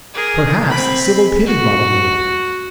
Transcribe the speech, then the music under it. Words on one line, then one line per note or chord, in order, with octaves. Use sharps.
Perhaps Sybil pitied Ronald a little.
G#4 A#4
C4 B5
F#4